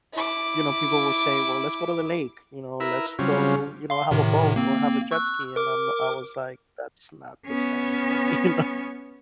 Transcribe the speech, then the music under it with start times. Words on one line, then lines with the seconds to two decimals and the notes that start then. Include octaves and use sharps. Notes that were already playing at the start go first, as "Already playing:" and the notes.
you know, people will say, "Well, let's go to the lake," you know, "Let's go," you know, "have a boat or have a jet ski," and I'm I was, like, "That's not the same," you know.
0.13 E4 D6
2.80 E4 A#4 B4 E5
3.19 C#3 F#3 G3 C4 C#4 F4
3.90 F5 C6
4.11 A2 C3 D#3
4.56 A#3 C4
5.11 C#6 E6 F#6
5.56 A#4 D6
7.47 B3 C#4